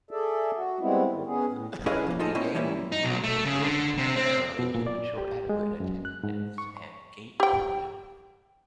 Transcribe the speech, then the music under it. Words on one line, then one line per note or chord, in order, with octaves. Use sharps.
The game was moved indoors primarily to ensure adequate attendance and gate revenue.
G#4 A4 D5 E5
F#4
G3 G#3 B3 C4 E4
G#2 D#3 G3
B3 C#4 G#4
A2
C#4 E4 G#4 B4 D#5 F5
F3 A#3
D#4 F4 G#4 A4 C5 D#5
B3 C#4 E4 C5 D#5 G5
E3 G3 A#3 C#4 E4
D#4
B1
A3
C#3
D3
C3
C4
B2
A#2
D5
G4
G#3
F#2
F#6
G#2
C#6
G4 G5